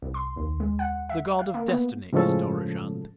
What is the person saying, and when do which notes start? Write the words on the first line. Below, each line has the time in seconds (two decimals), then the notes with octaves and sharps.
The god of Destiny is Dorozhand.
0.02 C2
0.14 C6
0.36 D#2
0.60 G#3
0.79 F#5
1.09 E5
1.39 F5
1.54 A#3
1.68 B3
2.13 A2 C#3 F3 G#3 C#4 A4